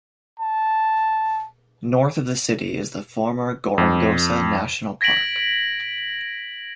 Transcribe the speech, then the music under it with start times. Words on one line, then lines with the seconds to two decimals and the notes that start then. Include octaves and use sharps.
North of the city is the former Gorongosa national park.
0.40 A5
3.78 F2
5.01 G#6 A#6 B6 D7 F#7